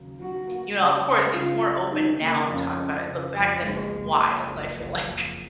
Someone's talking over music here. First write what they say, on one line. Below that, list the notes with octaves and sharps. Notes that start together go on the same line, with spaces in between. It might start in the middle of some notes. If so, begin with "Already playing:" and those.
you know, of course, it's more open now to talk about it, but back then was wild, I feel like.
Already playing: D#2 C#3 F#3
F#3 F#4
A#3
C#3
C#3
C#3 F4
G#3
G#3 D#4
C#3 A#3
F2 C#4
G#3
C#3
F2
F#1 G#3
F#1
A#3
F#1
F#1
F2